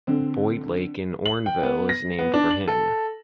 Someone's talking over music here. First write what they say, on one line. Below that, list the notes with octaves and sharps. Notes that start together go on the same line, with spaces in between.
Boyd Lake in Orneville is named for him.
D3 C4
F#7
G5
B3
A#6
B3
D4
F#7
A4